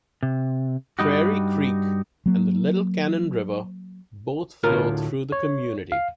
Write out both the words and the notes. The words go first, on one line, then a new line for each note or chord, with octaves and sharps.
Prairie Creek and the Little Cannon River both flow through the community.
C3
G2 B2 G3 D#4 F#4
F#3 A#3
D2 A2 F4 A#4 A#5
C#5
F5